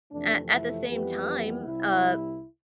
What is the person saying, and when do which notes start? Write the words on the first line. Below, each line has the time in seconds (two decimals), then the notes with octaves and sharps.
a at the same time, uh,
0.11 F2 C3 E3 A3 D4
0.50 E4
0.88 F2 E3 G3 B3 G4 B4
1.65 C2 C3 G3 E4